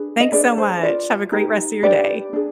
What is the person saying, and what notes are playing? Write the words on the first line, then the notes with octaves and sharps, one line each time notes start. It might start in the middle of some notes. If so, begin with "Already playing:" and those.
Thanks so much, have a great rest of your day.
Already playing: D4 G#4 B4
D#5
D4 G#4 B4 D5
C5
F4 B4 D5
D#4 G4 B4
D4 G4 B4 D5
D4 G#4